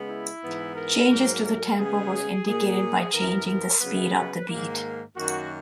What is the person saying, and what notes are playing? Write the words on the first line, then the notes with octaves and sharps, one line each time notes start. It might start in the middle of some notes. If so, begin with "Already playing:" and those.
Changes to the tempo are indicated by changing the speed of the beat.
Already playing: C#3 G#3 B3
E4
G#2 E3 B3
A#4
G#2 F#3 A#3
A#4
C#3 G#3 B3 G#4
A#2 A#3 G#4
F#2 E3 B3 A#4
A#4
C#3 F#3 B3 B4
G#2 D#3 A#3
F#2 D#3 A#3 F#4